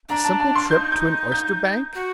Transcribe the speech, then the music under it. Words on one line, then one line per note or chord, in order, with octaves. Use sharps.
"A simple trip to an oysterbank?"
D4 A#5
A5
A5
C6
D#4 G6
G6
G6
F#4